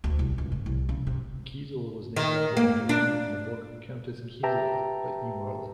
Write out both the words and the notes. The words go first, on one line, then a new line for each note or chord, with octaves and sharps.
Gisela was named after the heroine in the book "Countess Gisela" by E. Marlitt.
D2
C2
C#2
A2
C2
C#3
C3
D#3
A#3
D4
G4 B4 E5 G5 A5 A#5